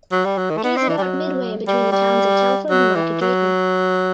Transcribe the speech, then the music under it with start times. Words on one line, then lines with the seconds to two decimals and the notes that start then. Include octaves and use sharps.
It is about midway between the towns of Telford and Market Drayton.
0.11 F#3
0.25 G3
0.38 F#3
0.50 D#3
0.57 A3
0.64 B3
0.77 C4
0.89 E3
0.98 G3
1.02 F#3
1.67 G3
1.92 G3
2.69 F#3
2.95 E3
3.21 F#3